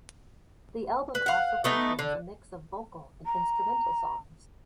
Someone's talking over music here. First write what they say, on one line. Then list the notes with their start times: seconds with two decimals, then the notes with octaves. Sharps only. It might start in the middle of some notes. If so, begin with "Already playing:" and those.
The album also contains a mix of vocal and instrumental songs.
1.15 B4
1.26 F5 F#5
1.64 A3 B3 D#4
1.99 D3
3.26 A#5